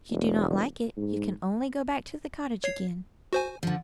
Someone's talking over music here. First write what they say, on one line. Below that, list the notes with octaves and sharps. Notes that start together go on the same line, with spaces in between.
If you do not like it, you can only go back to the cottage again.
E1
G#2
C#5 C7
F#4 C5 G#5
D3 F3